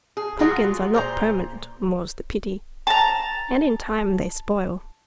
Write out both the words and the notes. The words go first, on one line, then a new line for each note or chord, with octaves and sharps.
Pumpkins are not permanent, more's the pity, and in time they spoil.
G#4
F#3 G#3 A3 F4 F#4 G#4
A#2 C5 A#5
A5 A#5